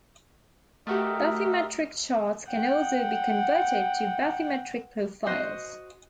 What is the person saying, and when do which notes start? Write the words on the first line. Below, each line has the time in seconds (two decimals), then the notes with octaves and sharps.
Bathymetric charts can also be converted to bathymetric profiles.
0.87 A3 F#4 G4 A#4 D#5 E5
2.51 F#5 G5
5.26 F#4 C5 D#5